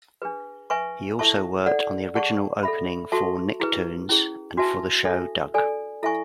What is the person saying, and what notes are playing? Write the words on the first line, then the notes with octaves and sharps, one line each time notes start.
He also worked on the original opening for Nicktoons and for the show "Doug".
D4 G#4 B4
B4 E5 G#5 C#6
E4 A4 E5 A5 C#6
A4 D5 F#5
G#4 D5 F#5 A5 C#6
A4 E5 B5
F#4 A4 E5 A5 C#6
E4 G#4 B4
C#4 E4 G#4
D4 F#4 B4 E5 A5
D4 A4 E5
D4 A4 D5 G#5
E4 A4 E5 G#5 C#6